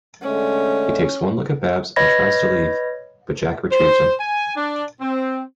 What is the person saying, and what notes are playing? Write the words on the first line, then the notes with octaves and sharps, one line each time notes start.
He takes one look at Babbs and tries to leave, but Jack retrieves him.
D3 G#3 A3 C#4
B4 C#5 D#5 B5 G#6 A#6
C5
G#5
D4
C4